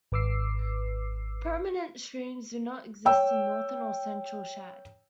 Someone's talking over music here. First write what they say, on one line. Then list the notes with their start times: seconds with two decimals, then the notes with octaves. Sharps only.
Permanent streams do not exist in northern or central Chad.
0.12 G#1 B4 D6 E6 C7
3.05 C#5 G5 E6